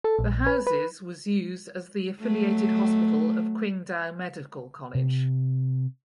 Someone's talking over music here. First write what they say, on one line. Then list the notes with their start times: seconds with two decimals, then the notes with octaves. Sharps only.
The houses was used as the Affiliated Hospital of Qingdao Medical College.
0.04 A4
0.19 A#1
0.46 B4
0.67 B4
2.21 F#3 A3
4.95 C3